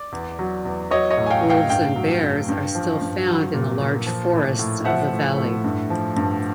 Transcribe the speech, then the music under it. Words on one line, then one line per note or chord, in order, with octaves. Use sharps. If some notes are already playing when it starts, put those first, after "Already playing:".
Wolves and bears are still found in the large forests of the valley.
Already playing: D5
E2
F#3
E2
F#3 C#5 D#5
C#5 D#5
A2
G#5
F5 G5
A2
F5 G5
G2 F5 G5
F#3
G2
G2
F3
G2
F#3
A#2
A#2
F3
A2
A2
F3 E5 F#5
A2
A2
G2
F3
G2